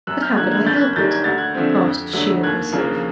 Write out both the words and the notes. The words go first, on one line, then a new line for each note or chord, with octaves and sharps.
'But how could I help it?' asked she of herself.
F#2 E6 F#6
F6 G6
D3 F3 A#3 F#6 G#6
F#6 G#6
F#1 G6 A6
F#6 G#6
F#2 D#3 G3 G6 A6
G#6
D2 A6
F#6 G#6
D3 F3 A3 C4
F2
D3 F#3 A3
D#2 F#6 G#6
C#3 F3 A#3